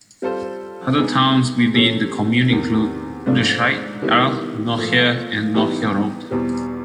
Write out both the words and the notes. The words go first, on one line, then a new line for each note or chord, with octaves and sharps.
Other towns within the commune include Buderscheid, Dahl, Nocher, and Nocher-Route.
G3 C4 F4 A4 C5
G#3 B3 D#4 G#4
C3 E3 A3 C#4
E2 C3 D#3
G#2 F3 A3 D4
D#3 G3 B3 E4
A#2 F3 A3
E3 G3 B3 D#4 G4
E2 B2 G3 C4